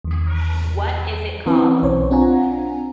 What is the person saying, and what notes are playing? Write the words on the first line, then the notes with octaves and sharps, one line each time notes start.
What is it called?
E2 D#3
D3 E3 C4 C#4 E4 B4
B1 C5 C#5
C4 D4 F4 F#5 G#5 A#5